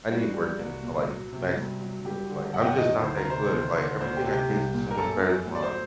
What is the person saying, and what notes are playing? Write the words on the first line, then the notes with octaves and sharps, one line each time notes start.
I need to work in, uh, like, Mexican field. Like, I'm just not that good. Like, everything I taste is so much better than mine.
G3 F#4
G3
C2
A#2
F#3
C3
G2
F#3
G2 G4
D3
F#2 F#5
G5
F#5
D#3 D#5
D2 C5
A#4
C3 C5
D#2
D3
D2 C5
G4
C3
G4
C2
A#2
A#4
F#2 A4
F#3
A2
D5
C5
F#3